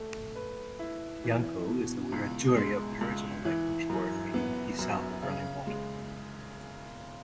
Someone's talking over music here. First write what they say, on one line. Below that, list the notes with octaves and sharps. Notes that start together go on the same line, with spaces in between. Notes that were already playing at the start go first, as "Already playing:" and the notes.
Yanco is a Wiradjuri aboriginal language word meaning "the sound of running water".
Already playing: A3
B4
E4
E3
B2
C#2
G#3
C#2
E3
F#2
B3
F#2
C#3
G#3